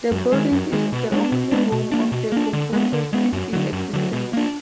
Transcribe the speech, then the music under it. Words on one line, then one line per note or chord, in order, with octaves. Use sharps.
The building is the only home of the composer still in existence.
F#2
D#3 G#3
F#2
D#3 G#3
B2
G#3 B3 D4
B2
G#3 B3 D4
B2
A#3 D4
B2
A#3 D4
D3
G#3 B3
D3
G#3 B3
F#2
D3 F#3
F#2
D3 F#3
B2
A#3 D4